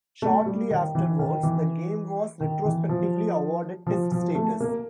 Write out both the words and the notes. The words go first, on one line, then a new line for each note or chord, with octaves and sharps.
Shortly afterwards the game was retrospectively awarded test status.
A3
G3
D#3
E3
D#3
E3
D#3
E3
F3
F3
F3
A3
A#3